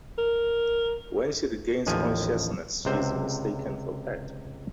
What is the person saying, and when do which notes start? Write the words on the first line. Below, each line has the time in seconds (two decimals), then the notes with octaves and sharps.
When she regains consciousness, she is mistaken for Pat.
0.18 A#4
1.87 A1 D#2 F3 G#5
2.85 C#2 C3 C5